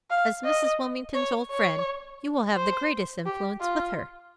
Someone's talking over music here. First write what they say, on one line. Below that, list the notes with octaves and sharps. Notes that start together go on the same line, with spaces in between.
"As Mrs. Wilmington's old friend, you will have the greatest influence with her."
F5
D#5
C#5
C#5
C5
G4
F4